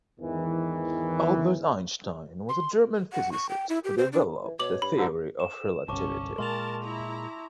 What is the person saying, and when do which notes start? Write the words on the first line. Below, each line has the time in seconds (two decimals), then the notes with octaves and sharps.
Albert Einstein was a German physicist who developed the Theory of Relativity.
0.20 E2 G#2 D#3 E3
2.48 C6
3.13 F#5
3.32 C#6
3.49 G5
3.69 E4
3.84 G4
3.98 C5
4.12 D4
4.44 E3
4.59 B2 C#5 D6 F#7
4.82 G2 B5
4.97 G#2 D3
5.40 E7
5.88 G1 C2 C#4 A5 C#6 D6
6.38 A#2 G#3 A#4 A5 C6 F7
6.84 E4 A#5